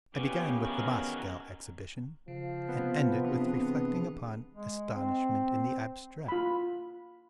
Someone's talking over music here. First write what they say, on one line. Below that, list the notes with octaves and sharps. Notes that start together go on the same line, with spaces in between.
I began with the Moscow exhibition and ended with reflecting upon astonishment in the abstract.
A#2 C#3 E3 B3 C#4 G4
D#3 F#4 A#4
C#3 F3
C3 B3
E3 D4 G#4
G#3
C4
F4 B5